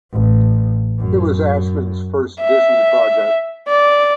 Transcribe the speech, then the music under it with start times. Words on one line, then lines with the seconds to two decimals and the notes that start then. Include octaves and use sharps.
It was Ashman's first Disney project.
0.12 A1
0.99 F#2
2.40 E5
3.68 D5